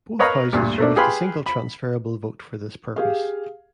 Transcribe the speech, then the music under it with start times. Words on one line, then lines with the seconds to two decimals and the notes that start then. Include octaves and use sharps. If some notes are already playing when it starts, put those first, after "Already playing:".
Both houses used the single transferable vote for this purpose.
0.19 A#4 B4 C#5 D#5 F5 A#5
0.53 D2 G2 A#2
0.78 A3 A#3 D4
0.96 G4 G#4 B4 F5 B5 C6
1.46 B5
2.96 G4 G#4 F5